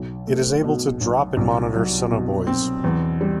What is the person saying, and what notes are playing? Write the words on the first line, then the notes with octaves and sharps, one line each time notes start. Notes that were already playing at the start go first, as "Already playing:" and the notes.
It is able to drop and monitor sonobuoys.
Already playing: B1
A3
B2
B1
C2
F#3
B2
C4
E2
G3